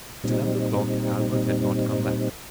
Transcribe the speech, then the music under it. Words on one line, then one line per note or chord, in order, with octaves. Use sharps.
At eleven o'clock Albert had not come back.
A#2 G3 C4 D#4